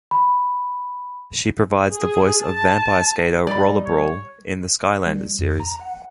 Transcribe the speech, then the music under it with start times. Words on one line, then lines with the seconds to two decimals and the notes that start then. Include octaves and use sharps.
She provides the voice of vampire skater Roller Brawl in the "Skylanders" series.
0.11 B5
1.95 G#4
2.45 A5
3.47 G3 D#4 D5 B5
3.85 C#5
5.06 G3
5.39 F2
5.60 A#5
5.79 F#5